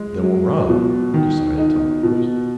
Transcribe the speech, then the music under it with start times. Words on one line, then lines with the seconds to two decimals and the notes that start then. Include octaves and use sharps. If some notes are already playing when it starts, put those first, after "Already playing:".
"Then we'll run," decided Tom Phipps.
Already playing: G#3
0.23 F#3
0.69 B2
1.14 D#3
1.58 D#4
2.03 B2